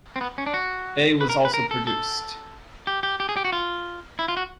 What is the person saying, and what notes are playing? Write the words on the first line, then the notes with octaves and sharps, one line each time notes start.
A was also produced.
C4
B3
C#4
D4
F#4
B4
A#4
B4
A#4
A4
A4
G4
G4
G4
G#4
G4
F#4
F4
E4
F4
F#4